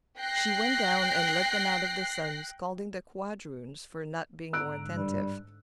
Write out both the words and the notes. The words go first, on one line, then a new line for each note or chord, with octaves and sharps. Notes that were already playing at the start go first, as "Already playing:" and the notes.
She went down and led them out of the sun, scolding the quadroon for not being more attentive.
G5 F#6 A#6 C7
G#2 D3 A#5 E6 F#6 D7
G2 G3